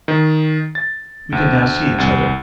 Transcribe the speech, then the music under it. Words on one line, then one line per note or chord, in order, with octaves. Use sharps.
We could now see each other.
D#3
A6
D2
C2